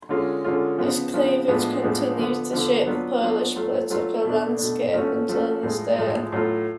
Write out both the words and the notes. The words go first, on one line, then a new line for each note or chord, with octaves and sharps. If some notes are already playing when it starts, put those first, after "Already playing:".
This cleavage continues to shape the Polish political landscape until this day.
D3 G#3 C#4 F4
D3 G#3 C#4 F4
C#3 F3 B3
C#3 F3 B3
A2 F3 G#3 B3 D4
A2 F3 G#3 B3 D4
D3 F3 B3
D3 F3 B3
F#3 B3 D4 F4
F#3 B3 D4 F4
F#3 A3 F4
F#3 A3 F4
B2 A3 D4
B2 A3 D4
F3 A3 C#4 F#4
F3 A3 C#4 F#4
A2 F3 G#3
A2 F3 G#3
A2 F#3 A3 F4